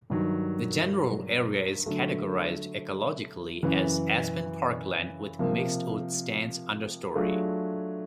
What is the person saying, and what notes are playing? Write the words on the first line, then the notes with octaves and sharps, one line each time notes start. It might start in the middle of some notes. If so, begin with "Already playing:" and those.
The general area is categorized ecologically as aspen parkland with mixedwood stands understory.
G2 D#3 F#3
D3 F#3 A3
F#2 C#3 E3
C3 F3 A#3
F#3 A3 D4 F4 G#4